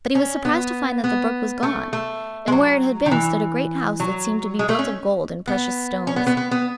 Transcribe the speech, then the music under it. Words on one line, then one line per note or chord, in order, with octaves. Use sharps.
But he was surprised to find that the brook was gone, and where it had been stood a great house that seemed to be built of gold and precious stones.
C#4
B3
B3
A3
A3
G#3
F#3
D#3
E3
F#3
G#3
A3
C#4
B3
C#4
B3
B3
B3
B3